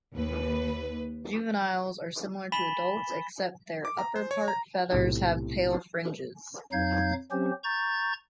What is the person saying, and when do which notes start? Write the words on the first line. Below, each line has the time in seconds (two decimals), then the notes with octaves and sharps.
Juveniles are similar to adults except their upperpart feathers have pale fringes.
0.15 D#2 B4
2.52 G#5 B5 A6 B6 E7 G7
3.85 D6
3.98 A#5
4.16 C5
4.31 C#5
4.48 A#5
4.93 B1 A2 C3
6.72 F2 F#3 D#4 F5 G6 G#6
7.31 F#3 C4 C#4 G4 C5
7.64 A#5 C#6 G6 A6